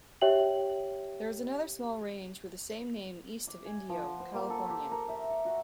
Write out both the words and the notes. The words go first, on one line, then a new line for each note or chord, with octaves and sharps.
There is another small range with the same name east of Indio, California.
G4 C#5 E5 G5 F#7
D6
G#5
F3
F#5
C5
A#3
A4
G4
A#4
E5
C#6
F#4